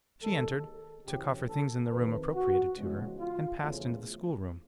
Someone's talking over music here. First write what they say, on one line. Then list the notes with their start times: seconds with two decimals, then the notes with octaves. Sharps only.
She entered, took off her things in the room appropriated to her, and passed into the schoolroom.
0.22 D#2 D#3 G#3 A4
1.06 D2 C#3 E3 G4
1.49 A4
1.91 F2 C3 D#3 B4
2.33 F#4
2.76 E2 C#3 F3 G#3
3.19 F4
3.61 E2 C#3 F3 A3